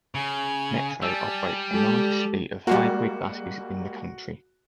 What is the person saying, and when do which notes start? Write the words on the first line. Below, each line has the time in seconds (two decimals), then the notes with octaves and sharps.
Metro operates the largest fleet of hybrid buses in the country.
0.15 C#3 G#5
1.02 G3 G#5 A5 E6
1.71 G#3 G4 A4
2.67 G3 G#3 A#3 F#4